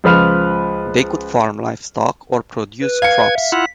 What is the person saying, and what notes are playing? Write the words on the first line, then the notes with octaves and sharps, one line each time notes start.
They could farm livestock or produce crops.
C#2 F3 B4 F6 F7
B4
F5 G#6 C#7
E5
E4 F4 F#5 B6